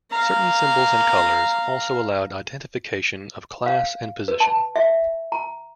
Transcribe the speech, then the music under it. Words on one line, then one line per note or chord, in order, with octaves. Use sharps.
Certain symbols and colors also allowed identification of class and position.
F5 A#5
F5
B4
A5
E5
A#5